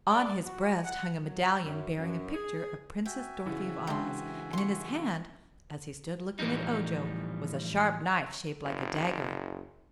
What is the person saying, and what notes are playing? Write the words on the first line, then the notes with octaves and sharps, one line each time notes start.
On his breast hung a medallion bearing a picture of Princess Dorothy of Oz, and in his hand, as he stood looking at Ojo, was a sharp knife shaped like a dagger.
D5
F#4
F#5
F#3
F#2
F#2
G#4
F#4 E5 G5 G#5
C#3 E3 E4 G#4
G#3 D4 G5 C6
C6 C#6
A2 E3 F3 G3 D#4
F#1